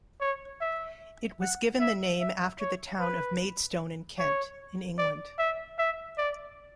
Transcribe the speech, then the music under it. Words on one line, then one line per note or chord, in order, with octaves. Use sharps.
It was given the name after the town of Maidstone in Kent, in England.
C#5
E5
F#5
E5
E5
C#5
B4
C#5
D5
E5
E5
D5